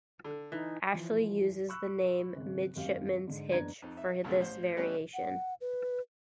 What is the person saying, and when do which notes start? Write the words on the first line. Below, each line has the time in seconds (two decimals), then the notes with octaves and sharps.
Ashley uses the name midshipman's hitch for this variation.
0.24 D3
0.52 E3 D#4
0.93 E3 F3
1.69 B5 C#6 E6 F#6
2.35 G#1 C#3
2.75 G#1 F#2 G4 F5
3.27 G#2 D3
3.52 F#1 E2 D4 B4 A#5 G#6
3.82 F2 D#4
3.97 E5
4.24 B1 G2 C#3 F3 A3
4.41 A1 C5
4.77 G3 A3 B3 C#4 B4 D#5
5.14 F#5
5.61 B4